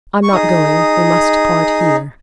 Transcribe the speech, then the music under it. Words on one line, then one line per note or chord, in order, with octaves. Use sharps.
"I'm not going; we must part here."
C#6
D#4 G#4 D#6